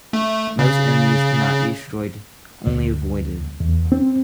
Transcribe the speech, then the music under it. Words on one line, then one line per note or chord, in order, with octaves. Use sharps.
Most enemies cannot be destroyed, only avoided.
A3
C#3
D2
E2
C4